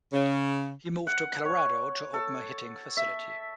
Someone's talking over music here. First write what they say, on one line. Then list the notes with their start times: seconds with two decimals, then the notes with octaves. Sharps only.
He moved to Colorado to open a hitting facility.
0.12 C#3
1.07 F#5
1.45 C#5
2.14 A4
2.97 E5